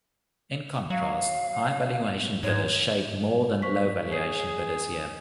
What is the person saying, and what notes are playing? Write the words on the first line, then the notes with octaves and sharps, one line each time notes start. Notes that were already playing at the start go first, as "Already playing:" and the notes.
In contrast, high-valuation bidders shade more than low valuation bidders here.
F#3 F5
G#2 C#5
C5 C#6 B6
G#4 C#5 C7